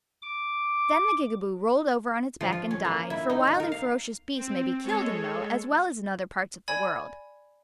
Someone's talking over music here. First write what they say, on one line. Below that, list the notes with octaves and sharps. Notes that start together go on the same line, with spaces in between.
Then the Gigaboo rolled over on its back and died, for wild and ferocious beasts may be killed in Mo as well as in other parts of the world.
D6
F3
F4
C#4
A#3
E4
D#4
D#4
A#4
F5
C4
G#3 A4 C#5
D5 G#5 B5 G#6